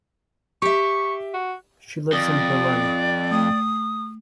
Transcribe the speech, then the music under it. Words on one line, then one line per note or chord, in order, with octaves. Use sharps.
She lives in Berlin.
G4 E5 C#6
F#4
F2 D5 D#6
A3 D#6